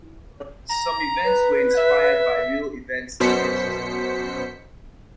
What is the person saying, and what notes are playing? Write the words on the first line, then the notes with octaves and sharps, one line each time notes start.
Some events were inspired by real events in history.
A#5
B4
E5
F#2 B2 C5 B6 C#7